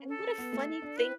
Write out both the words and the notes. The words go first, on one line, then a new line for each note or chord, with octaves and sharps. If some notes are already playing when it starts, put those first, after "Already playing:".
And, and what a funny thing to
Already playing: C#4
A4
B3
A3
D4
E4 B4